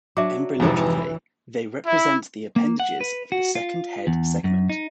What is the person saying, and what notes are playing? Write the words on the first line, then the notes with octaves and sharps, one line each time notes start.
Embryologically, they represent the appendages of the second head segment.
F#3 D4 E5 D6
F2 G#2 C3 E3
E4
A#3
F#5
B4
F#4
F4
E2
F#2
D#4